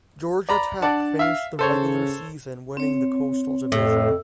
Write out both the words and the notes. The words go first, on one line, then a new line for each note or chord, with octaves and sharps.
Georgia Tech finished the regular season winning the Coastal Division.
D5 A#5 B5
D4 D5 F#5 A5
E5 F5
C#3 A4 C5 C#5
C4 C#5
F2 A2